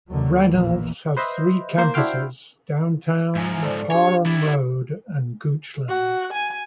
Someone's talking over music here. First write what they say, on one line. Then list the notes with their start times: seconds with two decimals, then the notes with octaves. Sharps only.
Reynolds has three campuses: Downtown, Parham Road, and Goochland.
0.10 D#2 D3 D#3 F#3
0.47 A1 E2 A#2 E3 A#3
1.17 B4 C5 D#5 E5
1.78 A#3 C5
1.94 D4 E4 F#4 C5 F5 G5
3.35 G#2 F3 E5 G#5 A#5
3.63 A4 C5 D5
3.92 D4 G4 C#5
4.26 E4 D5
5.89 F#4
6.33 G#5